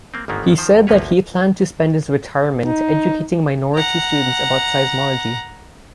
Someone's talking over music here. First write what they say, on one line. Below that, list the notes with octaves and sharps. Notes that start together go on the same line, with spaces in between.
He said that he planned to spend his retirement educating minority students about seismology.
A#3 C4
G1 G#2 D#3 A#3 B3
D#3 F3 C5
F2
G#1 D2 F3 A#3 B4 C#5
D#4
F#5 A#5